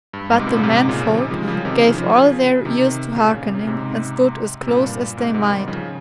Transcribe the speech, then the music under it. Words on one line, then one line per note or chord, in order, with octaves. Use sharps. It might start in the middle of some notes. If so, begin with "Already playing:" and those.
But the men-folk gave all their ears to hearkening, and stood as close as they might.
G2
G#2
C3
G2 A#2
C#3
G#2 C3
A#2 C#3
F3
C3 D#3
F3 G#3
G3
C#3 F3
C3 D#3
C#3 F3
C#3 F3
C#3 F3
C3 D#3
D#3
A#2 C#3
C3
C#3
G#2 C3
C3
G2 A#2
G#2 C3
G#2 C3
D#3 G3
C#3 F3